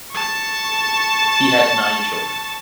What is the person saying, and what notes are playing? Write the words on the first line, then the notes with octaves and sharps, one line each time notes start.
He had nine children.
A5 C#6